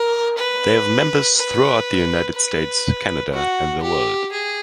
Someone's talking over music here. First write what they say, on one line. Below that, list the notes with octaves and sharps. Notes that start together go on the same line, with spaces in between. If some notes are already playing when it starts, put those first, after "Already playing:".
They have members throughout the United States, Canada and the world.
Already playing: A#4
B4
B4
B4
F#4
G4
G#4